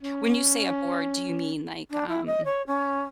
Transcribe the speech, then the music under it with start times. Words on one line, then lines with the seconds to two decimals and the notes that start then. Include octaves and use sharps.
When you say a board, do you mean like, um,
0.03 C#4
1.90 D4
2.08 E4
2.26 D#5
2.45 C#5
2.67 C#4